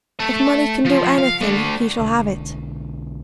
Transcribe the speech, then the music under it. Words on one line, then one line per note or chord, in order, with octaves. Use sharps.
"If money can do anything, he shall have it."
A3 E5
F3
F5
A3 D4
B1 D3